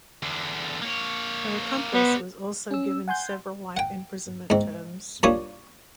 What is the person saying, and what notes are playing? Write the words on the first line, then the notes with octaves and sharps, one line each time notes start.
Her accomplice was also given several life imprisonment terms.
E2 D3
A#3 C#5
G3 B3 C5
C#4 E6
F#5 G#5 C6 G6
F#5 G5
G#2 C4
A#2 G3 D4 F4 C#5 D#6